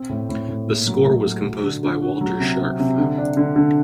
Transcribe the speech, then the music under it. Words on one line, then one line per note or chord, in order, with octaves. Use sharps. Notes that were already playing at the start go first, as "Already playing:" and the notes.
The score was composed by Walter Scharf.
Already playing: C4
A2
A2
A2
A#2
F#3
A3
F#3
F#3
D3
D3
F#4
F#3
C3
C3
C3
D3
D4
D3
D3